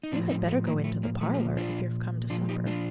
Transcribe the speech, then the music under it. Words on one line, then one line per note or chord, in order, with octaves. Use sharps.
"You had better go into the parlour, if you're come to supper."
D#4
A2 F3 A#3 D4
C4 D#4
A3
A#3
A3
A#3
A#2 F3 A3
A3
A#3
D4 F4
A#2 F3 D4 F4
D#4 G4
D4 F4